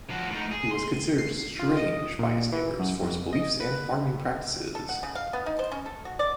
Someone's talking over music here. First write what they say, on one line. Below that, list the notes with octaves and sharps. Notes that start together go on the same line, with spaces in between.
He was considered strange by his neighbors for his beliefs and farming practices.
F3 F#4
A2 D#4
G#4
C6
C7
F4
D#5
A#2
E3
F#2
F2
D#5
B4
A4
F#5
C#3
F5
B3
D#4
C5
C#4
A4
F#4
D5